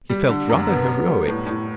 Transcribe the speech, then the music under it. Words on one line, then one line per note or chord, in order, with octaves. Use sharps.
He felt rather heroic.
G3
D3
F#2
B3
B3
G3
A2
A2